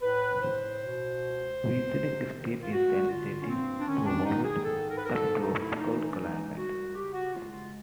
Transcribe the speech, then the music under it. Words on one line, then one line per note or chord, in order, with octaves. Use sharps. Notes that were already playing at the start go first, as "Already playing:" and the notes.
Weathering steel is sensitive to humid subtropical climates.
A2 B4
A2 C5
B2
C#2
C#2
C3
D#3
F4
G#3 F#4
D3 F4
C#4
G2 C4
D4
D#3 C#4
D4
D#3 D#4
G#4
G#2 A4
A#4
B4
G#2 A#4
A4
A3 D#4
E4
D4
E3 D#4
D#4
D4
G#3 D#4
C2 F#4
C#3 G4
F#4
G#3 F4
F4